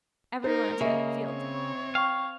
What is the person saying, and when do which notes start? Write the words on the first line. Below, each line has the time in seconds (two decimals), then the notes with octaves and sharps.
Everyone attended Field Day.
0.44 D#4 A#4 C5
0.81 C#3 A#3 D#5 E5
1.25 C4 C#5
1.95 F5 G5 C#6